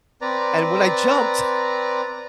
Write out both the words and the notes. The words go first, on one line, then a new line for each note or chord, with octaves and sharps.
and when I jumped,
C4 B4 D5 A#5